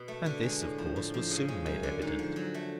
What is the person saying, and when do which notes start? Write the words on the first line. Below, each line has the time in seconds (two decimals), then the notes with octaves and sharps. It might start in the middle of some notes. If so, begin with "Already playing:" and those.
And this, of course, was soon made evident.
Already playing: B2
0.08 A3
0.26 D3
0.43 G#3
0.61 A2
0.78 F3
0.96 A2
1.14 F3
1.31 C#3
1.48 G#3
1.66 F#2
1.83 D3
2.02 G#2
2.19 F3
2.36 F#3
2.54 A3